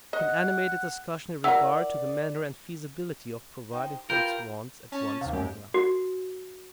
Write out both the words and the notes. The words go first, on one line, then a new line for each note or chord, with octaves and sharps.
But an animated discussion in regard to the manner and feasibility of providing for its wants at once sprang up.
D#5 F#5
E4 A#4 D5 F#5 E6
D#4 G4 C5
F4 G4 A#4 B4 B5 G6
C#4 A5
D#2 C3 F5
F#2 G4
F#4